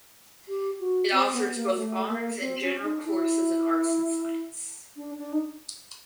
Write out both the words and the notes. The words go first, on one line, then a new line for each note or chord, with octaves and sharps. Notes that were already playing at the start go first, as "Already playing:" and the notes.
It offers both honours and general courses in arts and science.
G4
F#4
C4
B3
A#3
A3
A#3
C4
C#4
D#4
E4
D4
D4
D#4